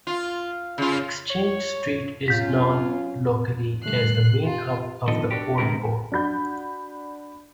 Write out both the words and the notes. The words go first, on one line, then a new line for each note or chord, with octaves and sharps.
Exchange Street is known locally as the main hub of the Old Port.
F4
C#3 F4
C#5
F#3 C#4 F4 G6 B6
D3 G3 A3 F#6 C7
F4 G4
B2 D3 D#3 F3 A4 D#5
D4 F#4 G4
D3 G#3 B3 C4 A#4
D4 F#4 B5 G6